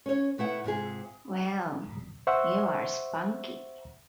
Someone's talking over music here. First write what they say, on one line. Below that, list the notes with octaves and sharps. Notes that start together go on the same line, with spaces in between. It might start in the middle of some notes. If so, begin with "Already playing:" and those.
Well, you are spunky!
C#4 C#5
B2 A3 E4 F#5
G#2 C3 F4 G#4
C5 E5 F#5 C6 C#6 E6